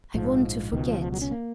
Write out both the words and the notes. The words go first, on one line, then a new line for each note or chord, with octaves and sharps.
I want to forget.'
A#1 G#2 F3
C#2 B2 D#3
F3
F3
F#3
C#4
A#3